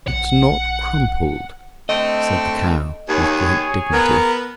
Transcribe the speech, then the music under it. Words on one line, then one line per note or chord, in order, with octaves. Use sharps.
"It's not crumpled," said the Cow, with great dignity.
A#1 F#5
D3 A3 C4 D#5
D#2 G#4 C#5 G#5
B3 A#4